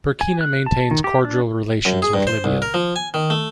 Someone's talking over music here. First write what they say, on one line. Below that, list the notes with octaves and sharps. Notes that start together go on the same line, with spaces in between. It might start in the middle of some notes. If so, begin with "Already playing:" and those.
Burkina maintains cordial relations with Libya.
G#5
F#6
A5
D#3
G4
D4
F#2
G#4
G2
C5
C2
A#4
F3
G#5
D#3
A3